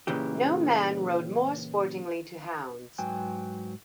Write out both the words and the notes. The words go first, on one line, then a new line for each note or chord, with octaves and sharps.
No man rode more sportingly to hounds.
A#2 C#3 E3 G4
G#2 F#3 B4 G5 G#5